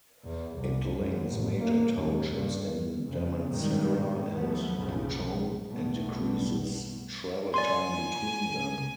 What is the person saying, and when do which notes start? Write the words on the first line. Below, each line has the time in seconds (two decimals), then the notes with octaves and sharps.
It links major townships in Damansara and Puchong and decreases travel time between them.
0.25 E2
0.57 C2
0.97 F#2
1.29 A1
1.63 A#3
1.95 D#2
2.34 G2
3.05 F2 C#3
3.49 G#1 G2 B2 D#3 G3 G#3
4.33 D#2 F3 F#3 A3 B3
4.76 B1 F2 A2 C#3 F3
5.67 B1 F#2 A2 G3 A3 B3
7.54 D5 G#5 C6